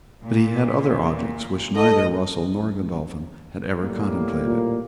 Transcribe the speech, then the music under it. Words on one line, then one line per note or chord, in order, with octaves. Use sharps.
But he had other objects which neither Russell nor Godolphin had ever contemplated.
A#2
A4 D#5
A2 G3 A#3
A#2